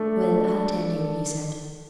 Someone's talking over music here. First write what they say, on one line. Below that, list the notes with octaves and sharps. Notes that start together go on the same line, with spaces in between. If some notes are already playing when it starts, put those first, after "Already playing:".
"Well, I'll tell you," he said.
Already playing: A3 D4 A4
D4 A4 D5